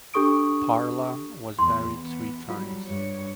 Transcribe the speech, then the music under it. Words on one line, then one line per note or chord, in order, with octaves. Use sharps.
Parla was married three times.
D4 G4 A4 C#6 D#6 D7
E2 C6
E3 B3
F#3 G3 F4
G2 C#5